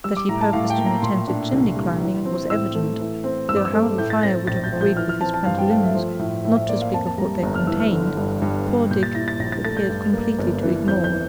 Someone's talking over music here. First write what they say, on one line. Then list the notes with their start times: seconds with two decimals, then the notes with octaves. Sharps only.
That he purposed an attempt at chimney-climbing was evident, though how the fire would have agreed with his pantaloons, not to speak of what they contained, poor Dick appeared completely to ignore.
0.04 G3 E6
0.17 D6
0.29 A2 A#5
0.41 A5
0.53 A2 F5
0.70 G5
0.78 A#3
0.86 A#5
1.02 A#2 C6
1.27 D4
1.52 C2
1.76 G3
2.02 E3
2.25 C4
2.50 A2 E6
2.75 A3
3.00 E3
3.24 C4
3.49 G2 E6
3.57 D6
3.65 E6
3.73 A3
3.98 A2 G6
4.10 A6
4.23 C4 A#6
4.47 A#1 A6
4.64 G6
4.72 F3
4.81 G6
4.97 E3 F6
5.09 F6
5.21 C4 A5
5.34 A5
5.46 G2 F5
5.58 G5
5.70 A3 F5
5.83 E5
5.95 F3
6.19 A2
6.44 A2 E5
6.56 E5
6.69 A#3 D5
6.81 F5
6.94 F2 A5
7.06 A5
7.18 G3 A#5
7.43 G1 A#5
7.55 F6
7.67 E3 E6
7.80 F6
7.93 D3
8.17 G2
8.42 G2
8.66 G3
8.91 A#2 G6
9.03 A6
9.15 E4 A#6
9.28 A6
9.40 A#1 A#6
9.52 A6
9.65 A3 A6
9.77 G6
9.89 G2
10.14 A#3
10.39 G1
10.63 E3
10.87 F2 G6
11.04 G6
11.12 E3